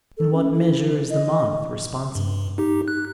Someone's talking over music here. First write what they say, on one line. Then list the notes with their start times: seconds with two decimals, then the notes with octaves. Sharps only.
In what measure is the moth responsible?
0.17 A4
0.34 C#4
0.54 E4
1.10 D#5
2.15 G2
2.58 D#4 G4
2.88 F#6